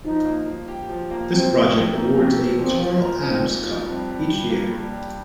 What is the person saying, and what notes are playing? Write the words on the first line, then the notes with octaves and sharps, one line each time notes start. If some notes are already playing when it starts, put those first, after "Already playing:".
This project awards a "Carl Abs" Cup each year.
F3 D#4
A#3
F3
G4
F3
A#3
F2 C4
F3
F2
A#3 D#4
F2
F3
A#2 C4
F3
A#4
C4 D#4
A#2
F3
G2 C4
G3
G2
A#3
G2
G3